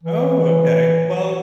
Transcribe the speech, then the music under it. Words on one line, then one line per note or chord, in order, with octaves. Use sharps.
Oh, okay, well,
E3